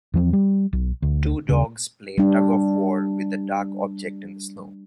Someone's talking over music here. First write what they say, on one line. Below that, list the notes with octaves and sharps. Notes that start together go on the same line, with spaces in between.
Two dogs play tugofwar with a dark object in the snow.
E2 F3 C4
G3
B1
D2
D#2 C#3
G3 D4